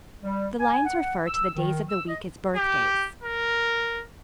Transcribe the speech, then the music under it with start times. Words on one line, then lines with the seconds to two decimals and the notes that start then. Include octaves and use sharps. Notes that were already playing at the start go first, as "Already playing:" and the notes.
The lines refer to the days of the week as birthdays.
0.22 G3
0.60 G#5
0.85 F#5
1.27 E6
1.56 D#3
1.89 E6
2.08 D#5
2.56 G4
3.22 A#4